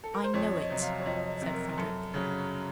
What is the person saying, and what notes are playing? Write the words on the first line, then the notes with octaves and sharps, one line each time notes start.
"I know it," said Frederick.
A4
A#4
C5
F2 C#5
C#5
D#5
C3 F#3
F5
C#5
F2 D#5
C3 F#3
A#4
F#2 A4
C#3 F#3